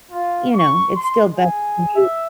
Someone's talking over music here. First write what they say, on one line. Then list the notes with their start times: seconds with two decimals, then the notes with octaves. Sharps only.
you know, it's still best that you
0.11 F4
0.54 C#6
0.96 C6
1.34 G#4
1.95 E5